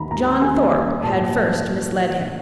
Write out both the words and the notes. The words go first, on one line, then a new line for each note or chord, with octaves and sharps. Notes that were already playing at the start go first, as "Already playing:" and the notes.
John Thorpe had first misled him.
Already playing: D#2 D#3 A#5 B5
D#2 A#5
A#3 G#5
G3
A#2 A5